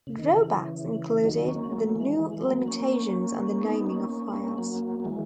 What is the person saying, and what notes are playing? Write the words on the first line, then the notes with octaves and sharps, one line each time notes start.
Drawbacks included the new limitations on the naming of files.
C#3
D#3
C#3 E3
D#3 F#3
A#3 C#4
F#3 A#3
F#3
E3 G#3
E3 G#3
G#3
F#3 A#3
A#3 C#4
B3 D#4
A#3 C#4
A#3 C#4
A#3 C#4
F#3 A#3
A#3
E3 G#3